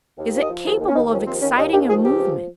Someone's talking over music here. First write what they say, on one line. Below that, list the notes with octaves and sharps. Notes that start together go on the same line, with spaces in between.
Is it capable of exciting a movement?
D#2
F3
D#5
F3
D#2 G#4
D#2
C#4
D#2 D#4
F3 C#4
D#2 C4
D#2 C#4
D#2 D#4
D#2 G4
F3 G#4
C#2 G4
F3